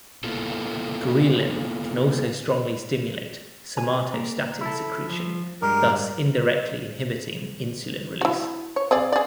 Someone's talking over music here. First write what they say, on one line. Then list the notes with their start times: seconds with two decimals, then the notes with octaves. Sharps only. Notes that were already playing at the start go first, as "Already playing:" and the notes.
Ghrelin can also strongly stimulate somatostatin secretion, thus indirectly inhibiting insulin release.
0.24 A#3 B3 E4 F4 A4
3.77 G#5
4.14 A#3
4.61 E4 A4
5.10 F3
5.62 G2 G3 G#3 A#4
8.21 E4 F#4
8.76 C#5
8.91 C4 G#4 D5
9.12 G#4 D5